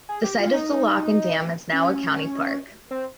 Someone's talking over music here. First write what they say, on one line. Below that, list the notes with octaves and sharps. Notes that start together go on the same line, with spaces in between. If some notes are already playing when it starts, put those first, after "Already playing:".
The site of the lock and dam is now a county park.
G#4
G4
F4
D#4
C#4
C4